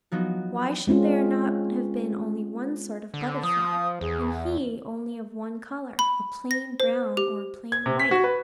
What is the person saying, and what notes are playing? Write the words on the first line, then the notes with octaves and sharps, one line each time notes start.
Why should there not have been only one sort of butterfly, and he only of one colour, a plain brown, or a plain white?
F3 F#3 B3 D#4 F#4
G#3 C4 C#4 F4
D3
F3 D#6
E2 G#4
B5
A#6
C5
G4
G#6
C3
B6
F#4
B4